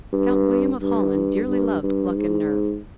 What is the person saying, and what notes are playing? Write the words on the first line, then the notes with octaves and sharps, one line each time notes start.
Count William of Holland dearly loved pluck and nerve.
G2
G2
G2
G2
G#2